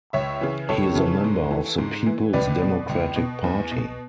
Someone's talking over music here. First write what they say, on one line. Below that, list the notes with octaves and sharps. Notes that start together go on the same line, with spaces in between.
He is a member of the People's Democratic Party.
C#2 C#5 E5
C#3 E3
C#2 A4 C#5
C#3 E3
G#2
E3
G#2
E3
C#2 B4 D5
B2
C#2
B2
E2
B2